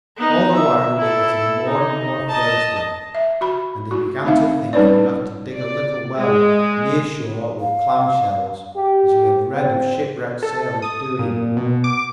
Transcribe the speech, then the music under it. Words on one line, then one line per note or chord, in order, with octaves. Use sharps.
All the while he was getting more and more thirsty, and he began to think he would have to dig a little well near shore with clam shells, as he had read of shipwrecked sailors doing.
B3 D#4
E5
E4 A4
D#4
D#5 A5
E5
F#4 B5
F#4
A3 C4 D#4 E5 F5
G3 C#4 D#4 B4 C#5 D5
D5
G#3
F5
G4
C4
A4
D#6
A#2
B2
D6